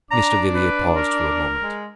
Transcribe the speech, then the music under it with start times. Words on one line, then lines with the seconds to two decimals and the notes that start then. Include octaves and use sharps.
Mr. Villiers paused for a moment.
0.11 D4 A#5 D6
0.55 B4
0.97 A#4
1.61 G#3